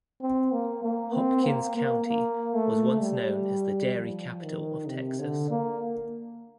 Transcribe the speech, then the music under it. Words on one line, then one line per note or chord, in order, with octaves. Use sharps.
Hopkins County was once known as the Dairy Capital of Texas.
C4
A#3
A#3
C4
A#3
A#3
A#3
A3
G3
F3
D#3
C3
D3
A#3